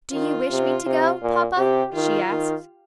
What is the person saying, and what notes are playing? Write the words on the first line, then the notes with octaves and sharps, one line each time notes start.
"Do you wish me to go, papa?" she asked.
D#3 F4
C3
C3
A#2
C3 G4
D#3 F4
D#3